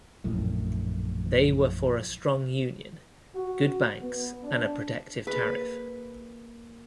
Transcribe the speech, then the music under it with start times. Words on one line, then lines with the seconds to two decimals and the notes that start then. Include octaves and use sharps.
They were for a strong Union, good banks and a protective tariff.
0.24 A#1 F#2 A2
3.35 F#4
4.02 B3
4.43 D4
5.27 A#3 G#4 B4